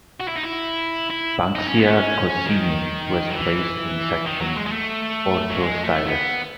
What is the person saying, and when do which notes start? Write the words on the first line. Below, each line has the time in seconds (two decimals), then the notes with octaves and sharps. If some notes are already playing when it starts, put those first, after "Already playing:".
"Banksia coccinea" was placed in section "Orthostylis".
0.20 F#4
0.28 E4
0.36 D#4
0.44 E4
1.10 E4
1.56 D#4
1.68 C#4
1.80 B3
1.92 C#4
2.46 D#3
3.30 F#3
3.36 E3
4.26 D#3
4.41 F#3
4.56 G#3
4.66 G#3
4.71 A3
5.50 F#3
5.62 G#3
5.84 A3
6.07 B3